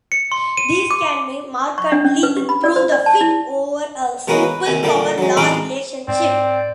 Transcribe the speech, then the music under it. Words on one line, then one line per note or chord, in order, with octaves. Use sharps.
This can markedly improve the fit over a simple power-law relationship.
C#7
C6
D#7
D6
C#6
D4
C#4
B4
G4
B5
D5
C5
D5
A5
E4
B2 G#3 A#3 B3 C#4 F#4
B4
D#2 C3 G#5
A#2 D3 G3 D4 G4
F#3 G#3
A1 G#3 C4 D#4 B5 D6
G#2 C4 D5